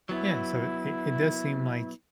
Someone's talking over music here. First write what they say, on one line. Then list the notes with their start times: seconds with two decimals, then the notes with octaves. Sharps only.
Yeah, so it it does seem like,
0.09 F#3 B3 E4